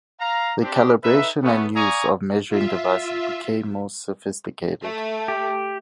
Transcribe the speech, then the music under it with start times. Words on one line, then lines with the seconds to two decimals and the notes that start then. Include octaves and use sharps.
The calibration and use of measuring devices became more sophisticated.
0.20 F5 A#5
0.61 C4 D4 G4
1.03 D#4 A4 B4 E5
1.43 A3 B3 C#4
1.75 D5 F5 G#5 A#5 C#6 D#6
2.49 F4 E5
4.82 A3
5.28 G4